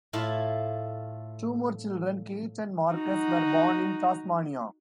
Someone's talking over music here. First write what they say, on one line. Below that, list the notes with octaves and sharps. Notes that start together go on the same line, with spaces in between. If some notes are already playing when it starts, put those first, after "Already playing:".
Two more children, Kate and Marcus, were born in Tasmania.
A2 A3 E4 F4
D#4 F#4